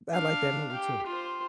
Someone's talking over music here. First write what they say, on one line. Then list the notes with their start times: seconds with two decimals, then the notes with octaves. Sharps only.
I like that movie too,
0.10 D4 F5
0.72 G4
1.07 F4 C5